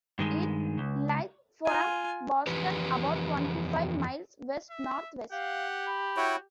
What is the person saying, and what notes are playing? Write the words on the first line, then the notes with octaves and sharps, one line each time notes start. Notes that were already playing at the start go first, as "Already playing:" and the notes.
It lieth from Boston about twenty-five miles west north west.
G2 D#3 G#3
C#2
F4 G#5
F2 E3 G4 B4
E5
G4 F5 F#5
B5
E4 F#4 C#5 G5